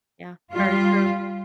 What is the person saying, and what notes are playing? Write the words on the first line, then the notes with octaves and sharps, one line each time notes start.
Yeah, very true.
G3 F4